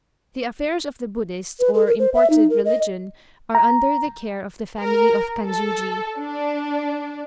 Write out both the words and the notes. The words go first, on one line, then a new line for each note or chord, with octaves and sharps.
The affairs of the Buddhist or imported religion are under the care of the family of Kanjuji.
B4
A4
A#4
C5
E5
D#4
A#4
D#5
A#5
A#4
A4
D4